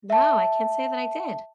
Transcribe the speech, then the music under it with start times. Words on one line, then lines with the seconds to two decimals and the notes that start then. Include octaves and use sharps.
No, I can't say that I did.
0.10 E5 A5